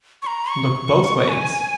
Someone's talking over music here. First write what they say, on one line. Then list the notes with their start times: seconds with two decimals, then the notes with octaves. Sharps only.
Look both ways.
0.22 C#6
0.27 A#5
0.50 C#6
1.28 G#5